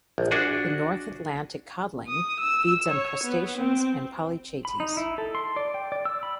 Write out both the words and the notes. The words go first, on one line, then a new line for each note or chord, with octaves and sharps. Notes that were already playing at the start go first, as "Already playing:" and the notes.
The North Atlantic codling feeds on crustaceans and polychaetes.
A#1
D4 F#4 G#4
D#6
E6
C#5
B3
C4
B5
D#4
E4
A4
C6
D5
G5
D5
E6
B5